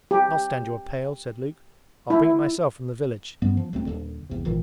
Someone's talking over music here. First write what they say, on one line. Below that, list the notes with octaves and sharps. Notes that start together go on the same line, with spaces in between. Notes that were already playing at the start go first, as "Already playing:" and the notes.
I'll stand you a pail!' said Luke. 'I'll bring it myself from the village.'
G4
E4
G2 G3 B3 C#4
F3
D#1 D2 A3 C4
D#1 G#1 D#2 D3
G#1 E2 C3
G#1 A#2 D#3 E3